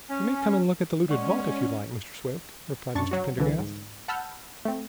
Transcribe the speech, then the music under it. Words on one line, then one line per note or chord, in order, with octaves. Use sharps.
"You may come and look at the looted vault, if you like, Mr. Swift," replied Mr. Pendergast.
C#4
G#3 C#4 D5 F#5 C#6
F#2 D4 C#6 A6
F#3 F#4
C2 D3 E3
G#2
F#5 A5 B5 E6 F6 G6
A3 C4